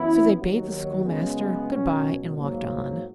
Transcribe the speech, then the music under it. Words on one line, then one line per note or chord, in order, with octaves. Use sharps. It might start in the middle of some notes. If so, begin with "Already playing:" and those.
So they bade the schoolmaster good-by and walked on.
Already playing: F#2 E3 B3 E4
D#2 D#3 F#3
F#2 C#3 G#3 B3
C#2 B2 F#3 C#4
G#2 F#3 A#3